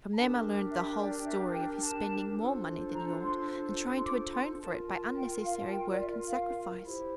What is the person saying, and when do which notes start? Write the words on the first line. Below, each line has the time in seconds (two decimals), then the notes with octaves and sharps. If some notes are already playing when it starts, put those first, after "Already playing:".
From them I learned the whole story of his spending more money than he ought and trying to atone for it by unnecessary work and sacrifice.
0.12 A#5
0.16 D4 G4 A#4 A5
0.71 E5
0.99 D5
1.27 E5
1.54 G5
1.82 A5
2.37 D4 F4 A4 C5
2.93 A#5
3.22 C6
3.97 C6
4.04 D6
4.32 C6
4.60 F4 A#4 A5
4.88 A5
5.15 G5
5.44 F5
5.62 A5
5.71 G5
5.90 D5
6.00 E5
6.27 F5
6.83 E4 G4 C5